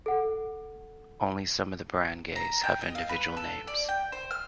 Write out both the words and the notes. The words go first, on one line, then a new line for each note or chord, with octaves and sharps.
Only some of the barangays have individual names.
A4 F#5
A#5
G5
D#5
F5
B4
A4
D5
G5
C5
F6